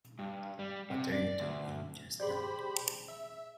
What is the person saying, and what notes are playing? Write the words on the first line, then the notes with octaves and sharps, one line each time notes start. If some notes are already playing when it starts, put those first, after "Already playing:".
What are you doing just now?
G2
G3
C3
D5
D2
G4 G#4 C5 D5 B5
E5